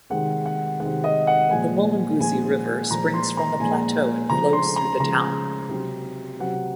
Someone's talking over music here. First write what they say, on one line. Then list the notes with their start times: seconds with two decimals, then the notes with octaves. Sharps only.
The "Mulunguzi River" springs from the plateau and flows through the town.
0.10 C3 D#3 G#3 F#5
0.45 F#5
0.80 C3 D#3 G#3 F#5
1.04 D#5
1.27 F#5
1.50 A#2 F3 G#3 G#5
2.20 A#2 F3 G#3 G#5
2.90 A#2 F3 G#3 A#5
3.14 C6
3.37 A#5
3.60 A#2 F3 G#3 G#5
4.30 C#3 F3 G#3 A#5
4.53 C6
4.76 A#5
5.00 C#3 F3 G#3 A#5
5.69 C3 F#3
6.40 C3 F#3 F#5